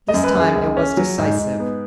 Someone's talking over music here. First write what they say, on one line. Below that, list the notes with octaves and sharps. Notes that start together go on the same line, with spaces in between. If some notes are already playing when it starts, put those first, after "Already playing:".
This time, it was decisive.
D#5
F#2
B4
F#2
G#4
C#2 G#4
C#4
F#3
G#2
G#2
B3